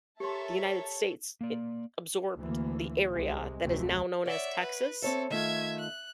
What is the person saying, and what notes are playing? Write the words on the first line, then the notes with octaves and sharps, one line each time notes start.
The United States, it absorbed the area that is now known as Texas.
G4 A4 A#4 C#5 E5 A5 C6
A#3 D5
D2 E3 A#3
C2 C3 G#3
F1 D2 F#3 G#3 A3 C4
C#5 D5 E5 F#5
B4
C4 A4 C#5 E5
D#3 A3 F4 E5 G#6
F#6